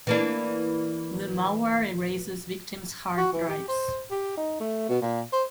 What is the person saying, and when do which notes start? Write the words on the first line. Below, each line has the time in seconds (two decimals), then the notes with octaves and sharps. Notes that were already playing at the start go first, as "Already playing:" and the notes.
The malware erases victims' hard drives.
0.07 E3 A#3 D4
3.18 F#4
3.33 E3
3.49 G4
3.68 C5
4.11 G4
4.37 D#4
4.60 A3
4.89 B2
5.02 A#2
5.33 C5